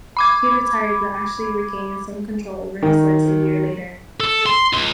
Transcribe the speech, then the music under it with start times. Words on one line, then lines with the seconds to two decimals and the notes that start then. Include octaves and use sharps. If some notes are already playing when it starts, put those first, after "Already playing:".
He retired, but actually regained some control over his legs a year later.
0.17 B5 D6 G#6
2.83 D#3
4.20 A4
4.46 C6
4.73 C#2